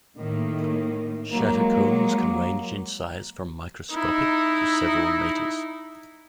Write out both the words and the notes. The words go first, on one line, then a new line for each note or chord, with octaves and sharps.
Shatter cones can range in size from microscopic to several meters.
A2 D#3 A#3
F#3 G#3 A#3
D#4 E4